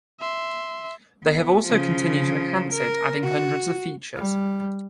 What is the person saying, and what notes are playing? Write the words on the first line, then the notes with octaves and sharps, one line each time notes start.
They have also continued to enhance it, adding hundreds of features.
E5 C6
B3
C#3 F3
A#4
F#4
G3